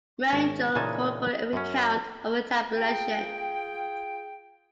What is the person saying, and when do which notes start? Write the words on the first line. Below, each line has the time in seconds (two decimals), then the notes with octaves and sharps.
Rangel called for a recount of the tabulation.
0.33 G#1 C#5
0.75 A#2 C#3 E3 D#4 G#5 A5
1.53 F#2 C#4
2.76 F4 G#4 G5